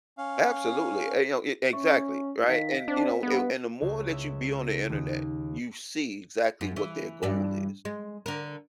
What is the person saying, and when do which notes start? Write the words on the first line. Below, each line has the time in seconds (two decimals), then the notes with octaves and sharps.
Absolutely, and, you know e exactly, right? And, you know, and and the more that you be on the internet, you see exactly what their goal is.
0.18 C#4 F5
1.73 C#4 E5 C#6
2.47 D#3 D#5 F5 B6
2.88 C4 D4
3.23 G2 B3
3.82 C#2
4.12 E5
4.89 D#2
6.61 F#2
6.76 E3
7.23 G2 E3 D5
7.85 G#3
8.26 D3 A#4